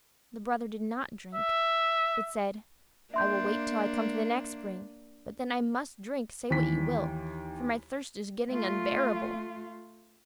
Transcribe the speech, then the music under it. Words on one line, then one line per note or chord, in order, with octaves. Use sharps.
The brother did not drink, but said, "I will wait till I come to the next spring, but then I must drink, say what you will, for my thirst is getting unbearable."
E5
A#3 D4 E5 C6 G6
D#2 E3 B6
A3 F4